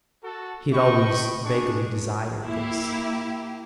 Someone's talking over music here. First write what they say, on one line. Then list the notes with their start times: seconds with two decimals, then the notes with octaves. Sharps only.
He had always vaguely desired this.
0.23 F#4 A4
0.73 D#5 G5 B5 C#6
1.45 D4 G#4 C#6
2.44 A#3 E4 G4